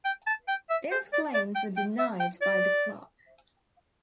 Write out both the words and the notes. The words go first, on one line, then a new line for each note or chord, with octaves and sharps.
Those claims were denied by the club.
G5
A5
G5
E5
C5
D5
D5
G5
G5
E5
G5
D5